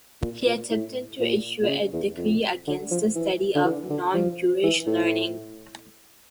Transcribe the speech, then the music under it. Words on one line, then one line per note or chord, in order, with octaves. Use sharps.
He attempted to issue a decree against the study of non-Jewish learning.
A#2
A#2
A2
A#2
A#2
C#3
E2
F2
D3
F3
E3
D3
E3
D3
F3
E3
A2